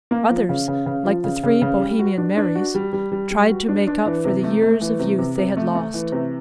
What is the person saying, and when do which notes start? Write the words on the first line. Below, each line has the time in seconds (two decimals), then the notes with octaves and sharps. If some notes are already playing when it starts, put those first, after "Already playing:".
Others, like the three Bohemian Marys, tried to make up for the years of youth they had lost.
0.11 A#3
0.30 F3
0.49 C#3
0.68 C#3
0.86 C#3
1.05 F3
1.24 C#3
1.43 C#3
1.62 C#3
1.80 G3
1.99 F#4
2.18 D4
2.37 D4
2.55 F#4
2.75 G3
2.93 G3
3.12 G3
3.31 G3
3.49 F#4
3.69 D4
3.87 D4
4.06 E3
4.25 C3
4.43 A3
4.62 A3
4.81 E3
4.99 C3
5.19 C3
5.38 C3
5.57 A3
5.75 A3
5.94 E3
6.12 C3